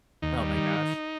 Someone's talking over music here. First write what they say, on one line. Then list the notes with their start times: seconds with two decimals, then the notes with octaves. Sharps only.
Oh my gosh.
0.22 D#2 D#4
0.40 G3
0.57 D#3